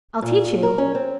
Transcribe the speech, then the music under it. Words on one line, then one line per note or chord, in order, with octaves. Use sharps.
"I'll teach you."
A#2
A#4
C#4
C4